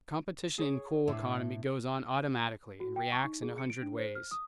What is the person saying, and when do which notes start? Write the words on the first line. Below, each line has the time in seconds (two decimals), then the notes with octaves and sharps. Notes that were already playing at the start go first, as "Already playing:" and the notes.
The competition in coal economy goes on automatically and reacts in a hundred ways.
0.58 G#4 C#5
1.08 A2 D4 E4
2.80 F#4
2.96 G5
3.12 C#6
3.24 D#4
3.42 G#4
3.58 C#7
3.70 D7
3.82 D4
3.98 C5
4.15 F6
4.31 D#6